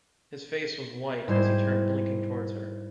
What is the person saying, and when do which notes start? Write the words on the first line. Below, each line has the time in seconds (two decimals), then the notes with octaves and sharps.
His face was white as he turned blinking towards her.
1.28 G#2 G3 E4 C5 G#6